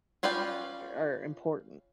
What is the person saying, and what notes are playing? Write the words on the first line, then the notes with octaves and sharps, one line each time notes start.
are important
C#4 F4 B4 D5 G5